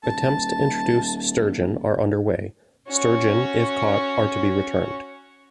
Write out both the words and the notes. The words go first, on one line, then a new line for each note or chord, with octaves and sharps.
Attempts to introduce sturgeon are under way; sturgeon, if caught, are to be returned.
D#1 A5
C#4 F#4